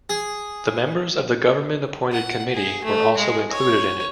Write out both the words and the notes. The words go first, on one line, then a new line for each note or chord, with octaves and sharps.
The members of the government appointed committee were also included in it.
G#4
F#5
G#4
A3
G#3
C#5